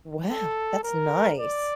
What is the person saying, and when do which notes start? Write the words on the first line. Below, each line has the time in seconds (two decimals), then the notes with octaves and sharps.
Wow, that's nice.
0.30 A4
0.84 A#4
1.39 D5